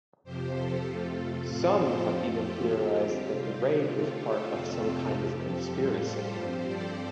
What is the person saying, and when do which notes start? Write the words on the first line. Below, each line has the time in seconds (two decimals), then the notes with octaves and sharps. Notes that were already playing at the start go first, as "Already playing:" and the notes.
Some have even theorized that the raid was part of some kind of conspiracy.
0.24 F2 C3 F3 G4 C5
0.54 A4
0.85 F2 C3 A3 F4 A4
1.46 A2 F3 C4 F4
1.76 G4 C5
2.08 F2 F3 A3 F4 A4
2.37 G4
2.68 D3 G3 C4 F4
3.29 C3 G3 C4 F4 G4
3.60 G4
3.90 D3 A3 F4
4.21 A4
4.51 F2 C3 A3 C4 F4 A4
4.82 G4
5.13 F2 C3 F3
5.43 A4
5.74 A2 G3 F4
6.04 G4 C5
6.35 G2 F3 C4
6.66 A4 D5